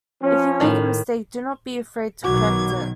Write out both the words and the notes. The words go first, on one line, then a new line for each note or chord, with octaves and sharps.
If you make a mistake, do not be afraid to correct it.
F3 C#4
A2 D#3
B1 B2 D#3 F#3 F#4 D6 G#6